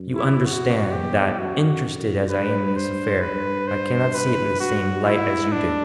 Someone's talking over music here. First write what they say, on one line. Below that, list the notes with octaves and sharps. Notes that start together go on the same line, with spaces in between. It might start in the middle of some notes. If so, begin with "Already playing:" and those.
You understand that, interested as I am in this affair, I cannot see it in the same light as you do.
Already playing: F#2
E4
F#2 F#4
E2 G4
F#2 F#4
G2 B4
C5
G2 B4
C5
B4
F#4
A2 E4
D4